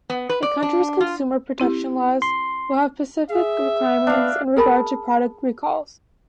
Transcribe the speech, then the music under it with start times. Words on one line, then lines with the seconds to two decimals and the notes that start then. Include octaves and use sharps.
A country's consumer protection laws will have specific requirements in regard to product recalls.
0.10 B3
0.29 B4
0.43 D5
0.63 D4
1.00 F4
1.60 C4 E4 G4
2.22 C6
3.30 G#4 E5
4.07 B3 D4 F5
4.56 G#4 A#4 A5 B5